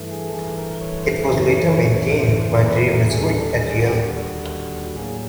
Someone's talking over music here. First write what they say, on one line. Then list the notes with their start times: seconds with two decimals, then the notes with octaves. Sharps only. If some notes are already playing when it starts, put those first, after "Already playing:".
It was later maintained by Drew Mazurek at Yale.
Already playing: G2 E3 A3
0.12 G#4
0.29 A4
0.34 G2 E3 A3 G#4
0.58 A#4
0.81 C#5
1.03 C5
1.27 F#2 C#3 E3 A3 C#5
2.19 F#2 C#3 E3 A3 C5
2.42 C5
2.55 C5
2.65 B4
2.88 A#4
3.11 D#2 D3 G3 G#4
3.35 A4
3.57 G#4
3.80 F#4
3.92 G4
4.03 D#2 D3 G3 F#4
4.96 A2 F#3 A#3 G#4